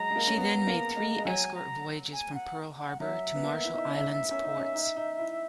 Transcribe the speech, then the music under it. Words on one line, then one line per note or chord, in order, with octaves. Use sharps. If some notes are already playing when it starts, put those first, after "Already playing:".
She then made three escort voyages from Pearl Harbor to Marshall Islands ports.
Already playing: F#3 G#3 A#5
G#3
A#3
C#4
B3
A#3
G#3
G#3
F#3 G#5
A#5
G#5
F#5
F#5
F#3 E5
B3
A#3
E4
D#4
C#4
C#4
D#4
C#4
D#4
D#4
E4